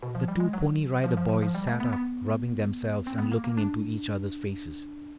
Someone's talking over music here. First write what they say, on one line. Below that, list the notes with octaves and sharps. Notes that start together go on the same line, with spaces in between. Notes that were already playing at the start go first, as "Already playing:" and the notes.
The two Pony Rider Boys sat up rubbing themselves and looking into each others' faces.
B2
F3
G3
G#3
F#3
F3
F3
F3
F3
G3
A3
B3
B3
C4
B3
A#3
A#3
D4